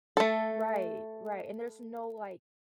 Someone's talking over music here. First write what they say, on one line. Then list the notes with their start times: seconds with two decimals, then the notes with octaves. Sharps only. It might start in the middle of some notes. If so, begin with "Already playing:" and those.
Right, right, and there's no like
0.17 A3 A4